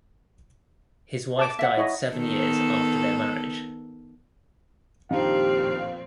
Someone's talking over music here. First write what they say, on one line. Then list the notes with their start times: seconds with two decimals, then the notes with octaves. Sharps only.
His wife died seven years after their marriage.
1.39 A5 D6
1.59 E5 F#5
1.77 E4 C#5 D#5
2.14 D#3 B3 A4
5.11 F2 A#2 D#3 C4 D4 D#4 G4 F5